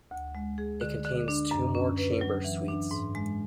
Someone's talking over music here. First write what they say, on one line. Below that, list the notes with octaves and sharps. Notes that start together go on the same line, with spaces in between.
It contains two more chamber suites.
D2
G#3
G#4
D3
D3
D4
F#2
C#4
B4
F#3
E3
D4
G#2
G#3